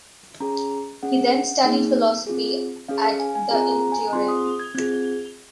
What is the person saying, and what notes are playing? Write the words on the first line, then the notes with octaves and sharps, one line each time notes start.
He then studied philosophy at the in Turin.
C#4 G#4 A#5
C#4 G#4 F#5
A#3 D#4 G#4
C4 F4 G#4
C#4 G#4 F5
F5
G#5
G#5
C4 F4 G#4 A#5
A#5
G#5
C4 F4 G#4 C6
D#6
G#6
C4 F4 G#4 G#6